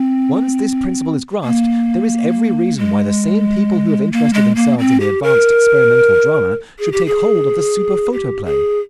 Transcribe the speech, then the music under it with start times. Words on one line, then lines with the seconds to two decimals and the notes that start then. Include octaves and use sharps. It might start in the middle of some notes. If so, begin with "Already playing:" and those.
Once this principle is grasped there is every reason why the same people who have interested themselves in the advanced experimental drama should take hold of the super-photoplay.
Already playing: C4
1.44 A#3
2.77 G#3
4.12 A#3
4.34 G#3
4.55 A#3
4.78 C4
5.00 G4
5.23 A#4
6.79 G#4
6.92 G4
7.06 G#4
8.12 G4
8.45 G#4